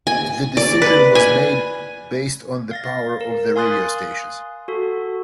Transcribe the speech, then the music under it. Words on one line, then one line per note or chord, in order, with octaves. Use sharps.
The decision was made based on the power of the radio stations.
G#5
D5
B4
G#5
F5 A6 A#6
A#4
F5 G#5 C6 D#6 F#6 A6
F#4 A4